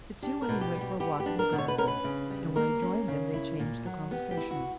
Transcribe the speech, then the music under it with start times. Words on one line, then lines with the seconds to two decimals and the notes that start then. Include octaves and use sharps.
The two women went for a walk in the garden, and when I joined them they changed the conversation.
0.22 D4 G4
0.42 A#4
0.49 B2
0.61 G4
0.74 G3
0.81 G4
1.00 B3 G4
1.20 G4
1.26 D4
1.39 A#4
1.52 B2
1.58 C#5
1.68 B4
1.78 C#4 A#4
1.88 B4
2.04 C#3
2.30 G3
2.56 A#3 A#4
2.82 C#4
3.08 C#3
3.34 E4
3.60 A#2
3.86 F#3
4.11 B3 G4
4.31 G4
4.37 E4
4.51 F#4